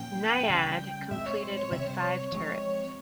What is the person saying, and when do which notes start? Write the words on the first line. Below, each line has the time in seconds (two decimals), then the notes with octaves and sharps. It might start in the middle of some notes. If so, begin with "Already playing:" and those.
"Naiad" completed with five turrets.
Already playing: A#2 F3 A#3 C#4 G5
0.50 C#3 G3 C#4
1.11 A#2 G#3 C4 E5
1.26 C#5
1.42 C5
1.57 C#5
1.72 C3 G3 C4 E5
1.80 C#5
1.88 C5
1.96 C#5
2.32 F3 G#3 C4